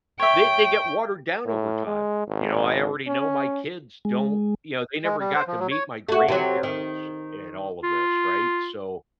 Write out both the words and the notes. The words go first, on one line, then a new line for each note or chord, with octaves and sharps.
they they get watered down over time, you know, I already know my kids don't You know, they never got to meet my grandparents and all of this, right? So,
C#5 E5 G5
A2
G#3
G#1
C#4
G#3
G#3
G3
C5
F3
F#3
C#5
A3 F#4
C3 F#3
D#3
F4